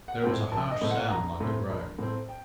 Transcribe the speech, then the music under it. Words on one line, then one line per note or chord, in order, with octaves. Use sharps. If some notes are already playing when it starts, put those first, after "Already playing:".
There was a harsh sound like a groan.
F#5
A2 A3 C4 G5
A#1 A5
D#5
A2 A3 C4
F#5
A#1 A#5
A2 A3 C4
A#1
A2 A3 C4
G5